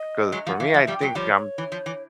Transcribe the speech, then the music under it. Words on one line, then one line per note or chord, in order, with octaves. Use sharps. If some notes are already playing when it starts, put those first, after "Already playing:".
'Cause for me, I think I'm
Already playing: D#5
F#3 G#3
F3 F#5
E3 F5
F3 E5
F3 G3
G5
F#3 G#3
F3 G3 C#5
C#5
E3
F3
E3